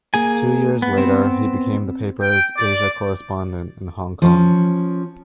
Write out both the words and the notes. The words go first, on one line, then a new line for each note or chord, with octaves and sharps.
Two years later he became the paper's Asia correspondent in Hong Kong.
A#3 G#4 G#5
B3
B3 C4
G5
D5
F3 C#4